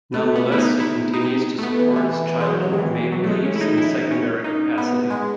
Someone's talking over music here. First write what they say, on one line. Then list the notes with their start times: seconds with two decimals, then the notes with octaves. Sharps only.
Nonetheless, he continues to support his childhood Maple Leafs in a secondary capacity.
0.14 A3
0.36 B3
0.52 E4
0.58 D#4
0.80 E4
1.13 D#4
1.58 A3
1.63 B3
1.79 E3
1.96 E3
2.13 E3
2.28 E3
2.40 G#3
2.45 F#3
2.62 F#3
2.73 D#3
2.78 E3
2.95 E3
3.12 F#3
3.24 A3
3.28 G#3
3.45 C#4
3.56 E4
3.61 D#4
3.78 E4
3.94 D#4
4.11 C#4
4.44 D#4
4.78 B3
5.10 G#3